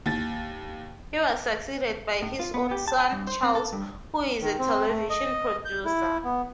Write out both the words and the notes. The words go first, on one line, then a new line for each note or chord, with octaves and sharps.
He was succeeded by his son Charles, who is a television producer.
D#2 A6
A2
F4
B3
G4
A5
G#5
G2
C5
C4
A4
G2
D#3
C4
A3
D#5
G6
E4
B3